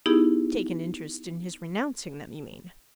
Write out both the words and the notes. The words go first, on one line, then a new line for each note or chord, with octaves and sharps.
"Take an interest in his renouncing them, you mean?"
B3 D#4 E4 G4 G#4